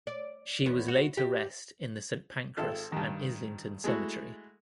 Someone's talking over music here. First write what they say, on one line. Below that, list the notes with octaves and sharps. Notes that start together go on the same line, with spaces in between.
She was laid to rest in the St Pancras and Islington Cemetery.
D5
E2 B3
F#4
G4 E5
G#1 F4 A4
G2 D#3
G#3 A3 E4 F#4